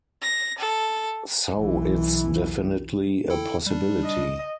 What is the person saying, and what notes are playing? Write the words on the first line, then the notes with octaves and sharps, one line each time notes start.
So it's definitely a possibility.
A#6
A4
B1 E3
E4 A4 G5
G3 D4
D#5